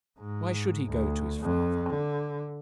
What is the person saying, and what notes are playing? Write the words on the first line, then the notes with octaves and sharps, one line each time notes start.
Why should he go to his father?
G#2
D2
F2
D3